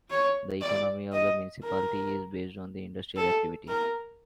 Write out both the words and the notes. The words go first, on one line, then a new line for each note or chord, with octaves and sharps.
The economy of the municipality is based on the industrial activity.
C#5
D5
D#5
A#4
A4
A#4